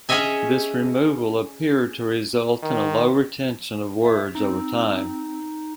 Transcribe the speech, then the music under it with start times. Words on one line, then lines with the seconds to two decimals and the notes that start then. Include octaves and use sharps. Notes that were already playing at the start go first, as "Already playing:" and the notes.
This removal appeared to result in a low retention of words over time.
0.09 C#4 G#4 C#5 D#5 E5 G#5
2.63 D#3
4.02 E5
4.35 C4 D#4